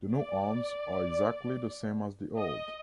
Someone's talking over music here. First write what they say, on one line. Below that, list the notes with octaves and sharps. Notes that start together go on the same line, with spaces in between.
The new arms are exactly the same as the old.
D5
D#5